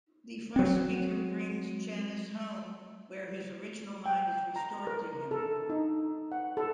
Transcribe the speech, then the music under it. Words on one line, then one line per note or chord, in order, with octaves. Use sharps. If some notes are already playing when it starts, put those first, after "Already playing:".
The First Speaker brings Channis "home", where his "original" mind is restored to him.
F#3 C4
G5
A#5
A#4
A4
D#4
F#5
A4